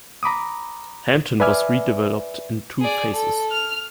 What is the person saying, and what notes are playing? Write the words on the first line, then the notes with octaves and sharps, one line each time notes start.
Hampden was redeveloped in two phases.
A#5 B5 D6 D#6
B4 D5 E5 G#5 D6 F6
G#4 D5
A4
F6